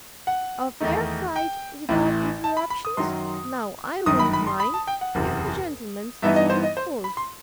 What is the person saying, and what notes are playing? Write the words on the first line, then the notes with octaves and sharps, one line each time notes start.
"A fair fight without interruptions, now, I WOULDN'T mind, if the gentleman's so disposed."
F#5
E2 D#3 A3 D#4
G5
A1 A2 E3
A5
B5
B5
D#6
F#2 D#3 F#3 C6
G1 F#2 D#3 D#6
B5
B5
C6
B5
A5
G5
F#5
F#1 E2 C3
G2 E3 B3 D#4 E5
D#5
C5
D#5
C5
B5
C6